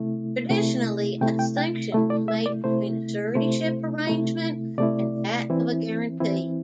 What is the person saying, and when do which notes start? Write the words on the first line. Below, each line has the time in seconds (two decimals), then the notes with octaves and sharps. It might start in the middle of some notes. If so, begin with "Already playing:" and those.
Traditionally, a distinction was made between a suretyship arrangement and that of a guaranty.
Already playing: C3 A3 E4
0.50 C3 A3 E4
1.21 C3 A3 E4 G5
1.39 G5
1.57 G5
1.92 C3 A3 E4 E5
2.10 D5
2.28 E5
2.46 D5
2.64 C3 A3 E4 C5
3.35 C3 A3 E4 C5
4.07 C3 A3 E4
4.78 C3 A3 E4 D5
5.50 E3 C4 E4
6.20 E3 C4 E4